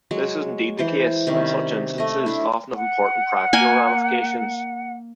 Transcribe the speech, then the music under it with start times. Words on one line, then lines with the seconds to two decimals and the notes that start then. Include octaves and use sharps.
This is indeed the case, and such instances often have important practical ramifications.
0.11 F#3 G#3
0.78 E3 C5 C6
1.27 C3 D#3 G3 C#4
1.98 A3 D#5
2.26 D4 E4
2.75 F#5
3.53 A#3 G#5